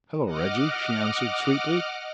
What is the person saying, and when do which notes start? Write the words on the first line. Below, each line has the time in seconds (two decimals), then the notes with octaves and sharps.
"Hello, Reggie!" she answered sweetly.
0.24 D#5 F#5 D6 F6